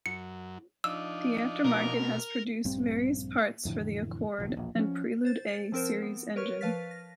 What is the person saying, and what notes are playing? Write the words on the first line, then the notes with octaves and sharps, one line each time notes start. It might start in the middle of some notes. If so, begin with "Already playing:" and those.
The aftermarket has produced various parts for the Accord and Prelude A series engine.
F#2 C#7
F3 D4 D#4 E6
B2 A#4
A#1 G2 C4
F2 A2 D3 E3
F1 A#1 D#2
E1 A#1
F3 C#4
C5 A6
F3 C4 A#4 C5
B3
A#4 B4 C#5 C#6 F6
F3 B4 F5 F6 A6 B6
A#6